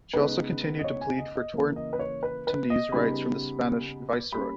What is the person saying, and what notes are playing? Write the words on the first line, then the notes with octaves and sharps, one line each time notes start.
She also continued to plead for Tortonese rights from the Spanish viceroy.
C#3 G#3 B3 D#4 B4
D#5
C#5
G#5
D#5
D#5
C#3 E3 A#3
D#5
B4
C#5
B4
B4
D#5
C#3 G3 B3 D#4 B5
G3 A#3 C#4 B5